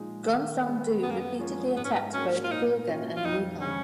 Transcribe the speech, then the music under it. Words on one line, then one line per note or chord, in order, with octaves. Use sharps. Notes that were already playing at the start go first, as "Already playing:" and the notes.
Gongsun Du repeatedly attacked both Goguryeo and Wuhuan.
Already playing: A#2 F3 G#3 D#4
D#3
G#3 B3
F#2 B3
A#3
B3
F3 G#3 C#4
G#2 B3
C#4
B3
F#3 A#3 C#4
F4
A#2 D#4
F#3 C#4 F4
F4
F2 D#4
C#3 G#3 C#4